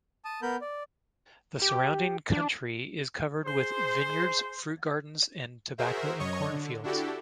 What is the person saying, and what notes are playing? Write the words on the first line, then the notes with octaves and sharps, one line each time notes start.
The surrounding country is covered with vineyards, fruit gardens, and tobacco and corn fields.
A5 D#6
B3 A#4 B5 G6
D5
G4
D4
G#4 C5
F#4 G#4 A#4 C5 E5
F#2 C#5 D#5 C#6
D3
D4 E4 F#4 G4 A4